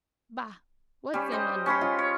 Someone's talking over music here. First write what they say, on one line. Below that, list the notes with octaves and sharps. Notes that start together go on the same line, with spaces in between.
Bah! what's in a name?
G3 C#4
C5 D#5
C#4 C#5 B5 C6
G#3 F4
C#5